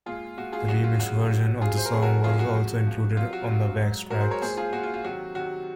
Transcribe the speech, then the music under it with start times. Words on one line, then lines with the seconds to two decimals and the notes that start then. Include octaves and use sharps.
The remixed version of the song was also included on the Wax Trax!
0.06 A#2 G#3 F4 G#4
0.37 A#2 G#3 F#4
0.52 F4 G#4
0.68 F#2 C#3 G#3 F#4
0.84 F4
0.99 F#2 C#3 G#3 F#4
1.30 C3 F#3
1.61 C3 F#3 F4 G#4
1.77 C5
1.86 A#4
1.93 F2 C#3 F#3 G#4
2.02 F#4 A#4
2.24 F2 C#3 F#3 F4 G#4
2.39 F#4
2.55 C3 F3 G#3
2.86 C3 F3 G#3
3.17 C3 F#3 F4
3.33 F#4
3.48 C3 F#3
3.79 G#2 F#3
4.10 G#2 F#3 F#4 A#4
4.21 G#4 C5
4.31 A#4 C#5
4.42 A#2 G#3 G#4 C5
4.57 F4 G#4
4.73 A#2 G#3 F#4
4.83 F4
4.94 F4
5.04 C3 D#3 F#3 F#4
5.35 C3 D#3 F#3 F#4